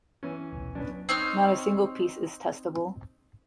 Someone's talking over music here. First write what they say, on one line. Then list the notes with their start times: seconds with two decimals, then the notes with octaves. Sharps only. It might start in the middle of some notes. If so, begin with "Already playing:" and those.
Not a single piece is testable.
0.23 E3 C#4
0.52 D#1 B1
0.75 F#3 B3 C#4 D4
1.09 C4 D#4 C#5 F6